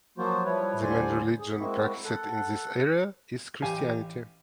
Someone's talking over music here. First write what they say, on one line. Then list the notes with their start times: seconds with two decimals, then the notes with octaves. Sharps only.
The main religion practiced in this area is Christianity.
0.18 F3 F#3 A#3 F4 F#4 C5
0.45 F3 G3 E4 B4 C#5
0.82 D#2 D3 G3 C5 D5 G#5
1.40 G#4
1.59 G#3 A#3 C4 E4 F#4
2.04 A4 F#5
3.62 A1 G4 F5 G#5